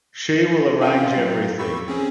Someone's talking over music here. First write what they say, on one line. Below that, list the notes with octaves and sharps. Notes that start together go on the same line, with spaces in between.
She will arrange everything.
C#4 F4 F5 G5 D#7
F#3
G4 B5 C#6 E6
C4 C#4 G#4